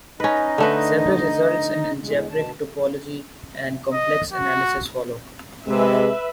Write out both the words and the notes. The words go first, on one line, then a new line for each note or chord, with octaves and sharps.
Several results in algebraic topology and complex analysis follow.
C#4 D#4 B4 D#5
D3 A3 B4
E2 G#3
B2 A5
D#5
F#4
C3 G#3 B4 E5